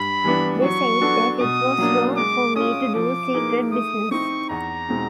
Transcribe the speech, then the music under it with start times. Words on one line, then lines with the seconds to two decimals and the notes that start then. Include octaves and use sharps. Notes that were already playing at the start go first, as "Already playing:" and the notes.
They said that it was wrong for me to do secret business.
Already playing: G2 B5
0.24 E3 G3 B3 D4
0.63 F#3 C#6
1.01 B3 D4 F#4 A4
1.40 B2 D#6
1.78 F#3 A#3 D4
2.17 G#3 D6
2.56 C#4 F4 D#6
2.95 F3 D6
3.34 A#3 D#4 G#4 B4
3.72 A3 D#6
4.11 C4 D#4 C#6
4.49 E2 A#5
4.89 B2 G#3 C4 D#4